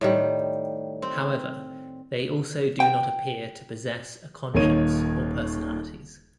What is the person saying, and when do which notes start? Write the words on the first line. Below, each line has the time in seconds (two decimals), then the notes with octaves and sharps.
However, they also do not appear to possess a conscience or personalities.
0.01 A2 D#3 G3
1.02 C4
2.80 G5
4.54 D#1 D#2 A#3 D#4 C#5 D#7